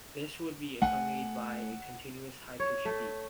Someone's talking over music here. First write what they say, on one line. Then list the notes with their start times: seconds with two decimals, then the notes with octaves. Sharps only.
This would be accompanied by a continuous high pitched beep.
0.82 A3 F#5 G#5
2.60 C#5
2.85 A3